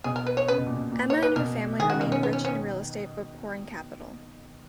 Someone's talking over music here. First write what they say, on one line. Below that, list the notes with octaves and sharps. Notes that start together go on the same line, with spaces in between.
Emma and her family remained rich in real estate but poor in capital.
B2 G#4
A#4
B4
C#5
C#3 B4
B2
A#2
B2
A#2
C#5
B4
B2 A#4
D#3 G#4
C#3 F#4
A#3
B2
C#4
C#3 B3
C#4
C#4